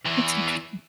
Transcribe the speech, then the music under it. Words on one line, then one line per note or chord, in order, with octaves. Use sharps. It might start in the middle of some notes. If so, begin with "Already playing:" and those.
That's interesting.
E2 E3